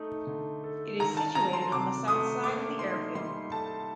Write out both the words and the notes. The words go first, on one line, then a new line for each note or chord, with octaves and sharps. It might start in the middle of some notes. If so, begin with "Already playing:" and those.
It is situated on the south side of the airfield.
Already playing: A3 D#4
D3
A4
D#3 A#5
A5
F#3 A#5
C6
C3 D6
A3 D#6
A#3 D6
D#4 C6
G3 C6
A4 A5